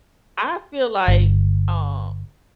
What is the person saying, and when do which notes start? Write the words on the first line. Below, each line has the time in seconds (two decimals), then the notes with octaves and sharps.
I feel like, uh,
1.08 G1